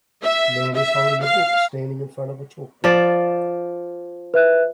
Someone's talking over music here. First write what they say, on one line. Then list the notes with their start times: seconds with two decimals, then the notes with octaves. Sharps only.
A man is holding a book standing in front of a chalkboard.
0.23 E5
0.75 E5
1.22 F5
2.84 F3 D5
4.34 B4 E5 F#6